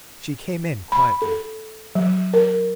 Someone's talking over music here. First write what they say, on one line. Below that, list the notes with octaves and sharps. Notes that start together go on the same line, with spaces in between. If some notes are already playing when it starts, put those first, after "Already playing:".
She came in quietly.
B5
A4
F#3
A#4